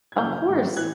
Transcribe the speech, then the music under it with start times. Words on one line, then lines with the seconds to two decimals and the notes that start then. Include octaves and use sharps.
Of course.
0.12 G#6
0.18 F#2 C#3 E3 F6 G6
0.48 G#2 D#3
0.76 A2 E3 F#6 G#6